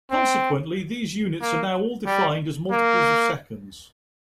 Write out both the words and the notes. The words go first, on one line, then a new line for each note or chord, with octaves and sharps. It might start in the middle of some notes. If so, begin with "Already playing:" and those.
Consequently, these units are now all defined as multiples of seconds.
C4
A#3
G3
A#3